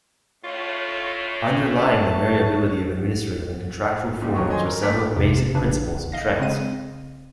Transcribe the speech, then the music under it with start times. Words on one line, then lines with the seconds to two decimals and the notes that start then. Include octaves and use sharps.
Underlying the variability of administrative and contractual forms were several basic principles and trends.
0.44 A2 F4 C#5
1.79 A3 A5
4.20 C#2 A#2 G3
4.34 G2 D#3 F#3 C#6
4.49 C#5 D#5 G#5 C6
4.66 A#4 A#5
4.82 A#1 A3 D6 B6
5.16 A#1 F2 C3 G4
5.54 A#1 C#3 D4 B4
6.12 D#5 F5 A#6
6.39 C#3 G#3 C4 D#5 D#7